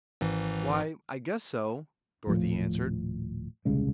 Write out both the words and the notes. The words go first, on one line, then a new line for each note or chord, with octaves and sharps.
"Why, I guess so," Dorothy answered.
G#1 G#2 E3
D#1 A2 F3
D#1 C2 C#3 G#3